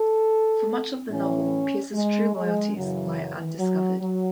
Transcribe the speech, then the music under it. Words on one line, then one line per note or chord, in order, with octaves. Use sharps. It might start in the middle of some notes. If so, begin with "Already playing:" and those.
For much of the novel, Pierce's true loyalties lie undiscovered.
Already playing: A4
A2 E3 C#4
G#3
G#3
F#2 C#3 E3 F#3
E3
F#3
F#3